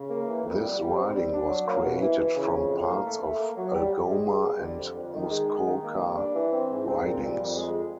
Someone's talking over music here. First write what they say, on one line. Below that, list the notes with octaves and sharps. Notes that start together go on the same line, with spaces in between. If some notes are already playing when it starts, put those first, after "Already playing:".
This riding was created from parts of Algoma and Muskoka ridings.
Already playing: C#3
A#3
E3
F2
G3
G3
C4
G3
D4
F#3
A#3
B2
E3
E3
C#3
F2
A2
A#3
A3
A3
A#3
F#3
G3
G3
G#3
G#3
G3
D3
F2
F2
D#3
G#3
D#3
D#3
A#3
G3
D4
E3
C4
G#2
C4
A#2
G3
F2
G#3